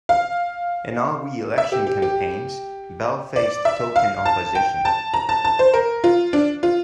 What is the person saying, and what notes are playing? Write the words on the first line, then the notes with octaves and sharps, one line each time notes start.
In all re-election campaigns, Bell faced token opposition.
F5
E5
G4
G4
G4
D5
E5
F5
A5
G5
A5
A#5
A5
A5
C5
A#4
F4
D4
F4